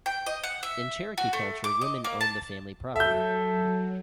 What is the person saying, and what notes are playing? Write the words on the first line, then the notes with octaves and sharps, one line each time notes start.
In Cherokee culture, women own the family property.
G5
D#5
F#5
E5
F#4
A3
D6
D#5
A#3
A5
F#3 A4 E5 G6